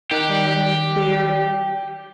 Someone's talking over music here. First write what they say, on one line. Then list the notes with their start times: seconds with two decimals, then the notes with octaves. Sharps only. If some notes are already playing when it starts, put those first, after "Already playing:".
and they're
0.11 D#3 D#4 G4 F#6